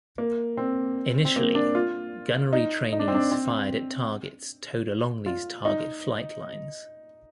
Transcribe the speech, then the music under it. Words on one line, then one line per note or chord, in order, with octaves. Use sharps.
Initially, gunnery trainees fired at targets towed along these target flight lines.
A#3
C4
C4
A#3
D4
F4
D#4
D#4
D4
C4
D4
C4
F4
D#4